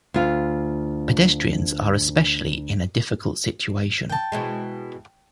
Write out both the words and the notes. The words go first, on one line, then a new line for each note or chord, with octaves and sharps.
Pedestrians are especially in a difficult situation.
D2 F4
G5 A5
B2 E3 G#3